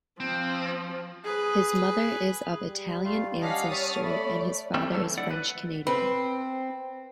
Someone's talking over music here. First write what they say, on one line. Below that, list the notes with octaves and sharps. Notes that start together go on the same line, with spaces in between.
His mother is of Italian ancestry and his father is French-Canadian.
F3 C4
G#4 B4
G3
A3 F4 F5
C#4 D4 D#5 F5 F#5 B6
C#5 E5 A5 C#6 D#6 F6 A6
A3 D5 B5
F3 G3 A3 C4 C#4
D3 F#3 A3 A4
E3
D2 E4 D5 F#5
B4
C4 B4